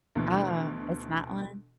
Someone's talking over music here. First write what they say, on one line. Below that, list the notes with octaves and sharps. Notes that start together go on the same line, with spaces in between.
Ah, it's that one?
D2 B2 E3